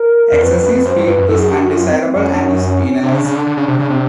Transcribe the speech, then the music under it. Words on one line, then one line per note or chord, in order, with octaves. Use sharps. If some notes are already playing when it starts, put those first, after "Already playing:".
Excessive speed is undesirable and is penalized.
Already playing: A#4
E2
F2 B4
F2
F#2
F2
F#2 C5
G2
G2 B4
F#2
F#2 A4
G#4
G4
F#4
F4
C4
C4
F#2 C#4
F2
F#2
C3 D4
C#3
C#3
D3
D3
C#3
C3
C#3
C3